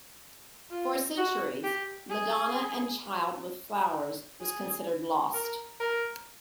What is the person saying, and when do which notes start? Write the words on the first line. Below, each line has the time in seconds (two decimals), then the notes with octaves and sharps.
For centuries, "Madonna and Child with Flowers" was considered lost.
0.71 F4
1.18 F#4
1.64 G4
2.10 G#4
4.41 G#4
5.34 A#4
5.80 A#4